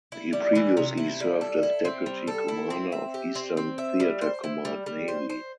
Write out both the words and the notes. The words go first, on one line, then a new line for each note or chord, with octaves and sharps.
He previously served as deputy commander of Eastern Theater Command Navy.
E4
G3
E3
C3
E4
G3
A4
E4
C4
G3
A4
E4
C4
E5
G4
C4
C4
E5
G3
C5
E4
G3
G3
C5
C5